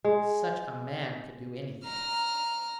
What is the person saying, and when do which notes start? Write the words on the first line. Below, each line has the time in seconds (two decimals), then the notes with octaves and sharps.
Such a man could do anything.
0.04 G#3
1.85 A#5 F6